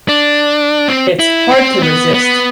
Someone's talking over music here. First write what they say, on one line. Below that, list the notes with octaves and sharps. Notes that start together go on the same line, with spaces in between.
It's hard to resist.
D4
C4
E4
C4
B3
B3